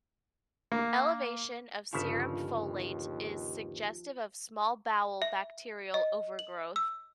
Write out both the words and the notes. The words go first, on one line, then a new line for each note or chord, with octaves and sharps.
Elevation of serum folate is suggestive of small bowel bacterial overgrowth.
A#3
G1 D#2 C#3 F3 E5
E5
D#5
F#7
E6